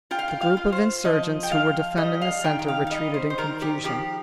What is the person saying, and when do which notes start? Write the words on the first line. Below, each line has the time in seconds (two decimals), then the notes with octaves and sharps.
The group of insurgents who were defending the centre retreated in confusion.
0.11 F4 G5
0.19 F5
0.28 G5
0.41 F5
0.57 F4
0.72 C5
1.04 F3 D#5
1.43 G5
1.51 F3 F5
1.97 G3 D#5
2.21 F5
2.44 D#3 G5
2.59 G5
2.68 F5
2.87 F5
2.91 G3 D#5
3.14 C5
3.30 C5
3.38 D#3 A#4
3.62 G4
3.84 F3 G4